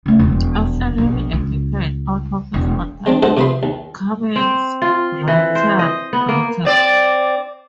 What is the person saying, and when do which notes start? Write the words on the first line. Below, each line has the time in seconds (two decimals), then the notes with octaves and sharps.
After nearly a decade out of the spotlight, Cummings reentered politics.
0.06 C#3 A3
0.19 E1 F2
0.98 A#1 B2
1.33 C#2
2.54 E1
3.06 G#3 C4 D4
3.22 D2 G#3 A4 C5 F#5
3.37 C3 F3 B4 B5 C6
3.63 D#2
4.36 C4
4.82 F4
5.28 E3
5.55 C5
5.79 D#5
6.13 B3
6.29 A#3
6.65 C4 D5